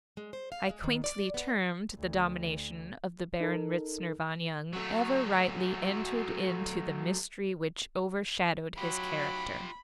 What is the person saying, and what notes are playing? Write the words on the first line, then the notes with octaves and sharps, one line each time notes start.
I quaintly termed the domination of the Baron Ritzner von Jung, ever rightly entered into the mystery which overshadowed his character.
G#3
C5
F5
G#3
D#3
D5
B3
D2
D#4 A4 A#4
F#3 A3
F#3 F4 G4 B5